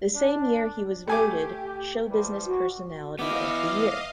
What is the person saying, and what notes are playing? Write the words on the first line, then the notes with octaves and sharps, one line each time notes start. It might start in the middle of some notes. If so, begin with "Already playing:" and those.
The same year he was voted 'Showbusiness Personality of the Year'.
D4
A3 G4 G#5 D6
E3 F3 G3
F#4
B3 E4 D#5 F5 D6